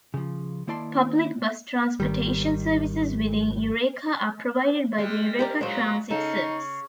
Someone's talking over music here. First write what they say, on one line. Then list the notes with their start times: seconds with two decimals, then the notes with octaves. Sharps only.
Public bus transportation services within Eureka are provided by the Eureka Transit Service.
0.14 C#3 F3
0.67 D#3 A#3 E4 D5 A5 C6
2.00 G#1 D#3 G3
4.98 G3 G#3
5.39 G4 A#4 D5
5.61 A#2 F#3 G#3 C5
6.11 C#3 D#4 A4